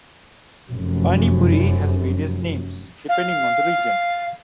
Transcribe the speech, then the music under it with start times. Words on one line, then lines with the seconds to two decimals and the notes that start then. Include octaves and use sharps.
Panipuri has various names, depending on the region.
0.69 F1 F#2
3.09 F5